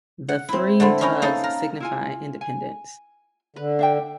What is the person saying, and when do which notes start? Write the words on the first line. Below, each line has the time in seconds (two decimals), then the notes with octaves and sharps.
The three tugs signify independence.
0.29 F#5
0.49 C4 E4
0.80 D3 A3 C4 E4
1.01 C#4 D#4 E4 A#4
1.22 A#3 D#4 A4
1.44 A#4
1.80 E4 F4 G#5
2.41 G#5
3.56 D3 B4
3.79 D4 E5 G5